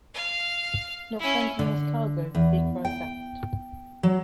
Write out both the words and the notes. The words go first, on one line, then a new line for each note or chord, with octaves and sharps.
Not finding his cargo, he cries out.
F5
C#4 E4
D3
E2
G5
F#3